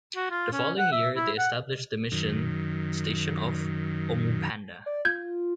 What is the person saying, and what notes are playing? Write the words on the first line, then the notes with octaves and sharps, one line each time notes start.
The following year they established the mission station of Omupanda.
F#4
F4
C#4
F#5
E5
E4
F#5
F#2 D#3
D5
F4 G6 G#6